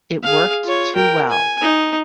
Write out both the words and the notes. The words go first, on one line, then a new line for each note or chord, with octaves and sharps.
It worked too well.
G#4 F5
F4 C#5
A#4 G5
G#5
D#4